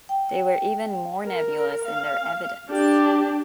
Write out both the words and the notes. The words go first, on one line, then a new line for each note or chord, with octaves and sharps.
They were even more nebulous in their evidence.
G5
A#4
F5
D4 G4